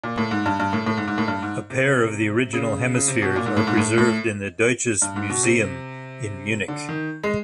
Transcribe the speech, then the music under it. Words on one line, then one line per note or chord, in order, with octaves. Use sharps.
A pair of the original hemispheres are preserved in the Deutsches Museum in Munich.
A#2
A2
G#2
G2
G2
A2
A2
G#2
G#2
A2
G2
G#2
C3
C#3
C#3
C3
B2
A#2
G#2
A2
G#2
A2
A2
G2
G#2
B2
C3
D3
D#3
G#3